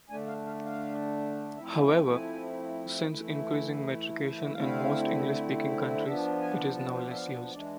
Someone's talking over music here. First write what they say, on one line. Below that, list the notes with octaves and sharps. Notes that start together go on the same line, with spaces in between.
However, since increasing metrication in most English-speaking countries, it is now less used.
D3 A3 D4 G#5
F5
F5
F5
F3 A3 C4 E4 E5
D5
G#5
G#5
E3 A3 E4
D3 A3 C4 E4 F5
F3 B3 D4 E5
G#5
A5
C5
D5
E5
F5
E3 G#3 D4 D5